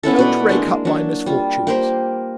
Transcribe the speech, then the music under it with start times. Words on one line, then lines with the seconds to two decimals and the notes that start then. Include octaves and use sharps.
"Don't rake up my misfortunes."
0.03 B3 C#4 E4 A4
0.19 B2 B4 D5
0.49 G#3 A#3 D4
0.85 F#3 D4
1.26 G3 F4
1.67 A#3 G4 A#4 C5